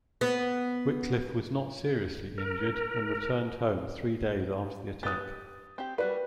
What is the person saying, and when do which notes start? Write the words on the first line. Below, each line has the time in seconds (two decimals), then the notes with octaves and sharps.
Wickliffe was not seriously injured, and returned home three days after the attack.
0.21 B3
2.38 A#4
5.03 G4 B4 D#6 A6
5.78 C4 G4
5.98 G3 F#4 B4 D5